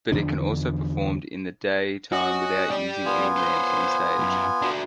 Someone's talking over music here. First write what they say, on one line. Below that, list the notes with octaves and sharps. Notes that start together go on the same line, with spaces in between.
But it can also performed in day time without using any lamps on stage.
E2 D3 F3 D4
C#4 F#4 D#5
G4 D5
B3 F4 G#5
B4 C5
C#2 F#2
D4 F#4